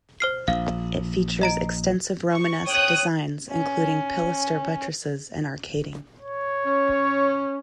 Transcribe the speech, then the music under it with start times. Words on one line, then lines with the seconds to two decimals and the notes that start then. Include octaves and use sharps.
It features extensive Romanesque designs, including pilaster buttresses and arcading.
0.20 C5 F6 C7
0.48 A#1 F5
1.41 D#5 A#5 D7
2.34 C#6
2.66 C#5 G5 D#6 F#6
3.51 C#4
6.20 C#5
6.66 C#4